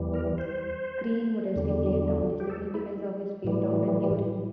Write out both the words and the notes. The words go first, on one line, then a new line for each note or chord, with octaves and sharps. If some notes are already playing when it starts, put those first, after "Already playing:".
Crean modestly played down the significance of his feat of endurance.
Already playing: E2 E3 G3
A#4
C5
E2 D3 G3
G4
A4
E4
A2 E3 G3